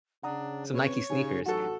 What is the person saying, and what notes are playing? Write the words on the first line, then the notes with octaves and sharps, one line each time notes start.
Some Nike sneakers.
C#3 D4 F#5 A#5 D#6
C4 C#4 B4 C#5
C#3 D#4 G4 G#5
A1 F#3 F#4 A4